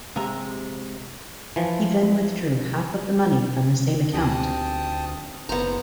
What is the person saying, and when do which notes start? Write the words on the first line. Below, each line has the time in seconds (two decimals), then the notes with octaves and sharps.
He then withdrew half of the money from the same account.
0.16 C3 G#3 E5 A#5
1.56 E3 F3
4.14 D2 C4 D#4 G4 G5 A5 D#6
5.49 F#1 B3 C5 A#5